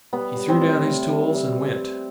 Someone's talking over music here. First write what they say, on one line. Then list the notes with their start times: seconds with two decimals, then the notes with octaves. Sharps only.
He threw down his tools and went.
0.13 G3 B3
0.37 G3
0.49 C4
0.61 A2
0.85 A2
1.09 G3
1.33 G3